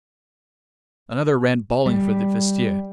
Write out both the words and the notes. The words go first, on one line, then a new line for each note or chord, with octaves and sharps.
Another ran bawling for the vestiaire.
G3